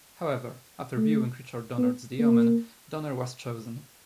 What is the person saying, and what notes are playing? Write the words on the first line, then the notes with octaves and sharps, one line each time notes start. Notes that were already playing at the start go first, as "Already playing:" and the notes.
However, after viewing Richard Donner's "The Omen", Donner was chosen.
A3
B3
A#3